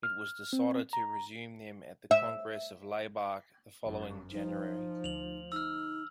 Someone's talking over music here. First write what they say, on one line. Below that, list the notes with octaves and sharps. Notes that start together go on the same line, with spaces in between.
It was decided to resume them at the Congress of Laibach the following January.
F6
C4
A#5
E5
G1 F#2
F3 D#4
D2 F7 F#7
D#4 E6 F6